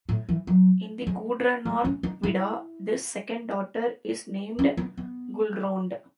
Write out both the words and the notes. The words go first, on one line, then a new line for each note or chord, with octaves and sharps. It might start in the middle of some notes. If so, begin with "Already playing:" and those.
In the Gudrunarkvida, this second daughter is named Gullrond.
A2
E3
F#3
G#3
A3
C#4
D#4
E4
C#4
B3
B3